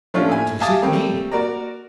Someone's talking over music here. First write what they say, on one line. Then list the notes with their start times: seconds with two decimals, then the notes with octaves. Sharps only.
What does it mean?
0.14 F3 A3 C#4 D4 F4
0.29 A2 A3 G#5
0.60 E5 F5 G#5 A5 D6 D#6
0.82 G3 A3 A#3 C4 G4
1.32 F#4 A#4 D5 A#5